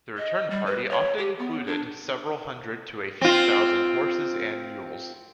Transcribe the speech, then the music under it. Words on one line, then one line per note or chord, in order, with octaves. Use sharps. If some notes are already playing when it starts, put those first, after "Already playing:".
The return party often included several hundred to a few thousand horses and mules.
D#5
G3
B4
C#5
G4
B3
D4
C4 F4